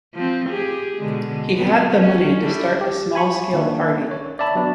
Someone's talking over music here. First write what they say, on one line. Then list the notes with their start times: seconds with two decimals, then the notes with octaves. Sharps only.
He had the money to start a small-scale party.
0.14 F3 C4
0.50 G4 G#4
0.98 B2 D3 G#3
1.55 B3 C4
1.98 C#4
2.41 G3 D4 E4
2.81 G4
3.15 G#5 B5 C#6
3.54 D#3 A#3 D4
4.11 C#5
4.39 D5 E5 A5 B5
4.55 F#3 B3 D4 F#4